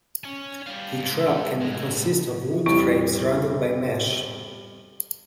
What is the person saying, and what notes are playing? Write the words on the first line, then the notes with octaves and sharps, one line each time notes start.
The trap can consist of a wood frame surrounded by mesh.
C#5 G#5
G3 F5
G#2
A2 G#3
F2 G3 E4